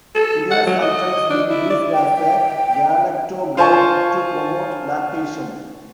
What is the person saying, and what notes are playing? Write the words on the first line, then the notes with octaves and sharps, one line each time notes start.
It has sometimes been used as a galactogogue to promote lactation.
A4
F#5
F#3
D#5
D4
E4
D5
G5
F4 C5 G#5 A5 C#6